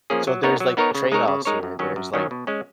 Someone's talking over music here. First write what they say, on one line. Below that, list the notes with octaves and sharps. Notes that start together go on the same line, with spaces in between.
So, there's, like, trade-offs here. There's, like
F3 A#3 C#4 G#4
F#3
B3 D#4 A#4 C#5
F#3
B3 D#4 A#4 C#5
C#3
G#3 D#4 A#4 C#5
C#3
G#3 D#4 A#4 C#5
F#2
D#3 F#3 C#4
F#2
D#3 F#3 C#4
B2
G#3 C#4